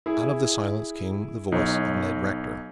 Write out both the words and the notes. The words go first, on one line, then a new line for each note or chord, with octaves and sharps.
Out of the silence came the voice of Ned Rector.
E4 G#4
B1 D#4 C#5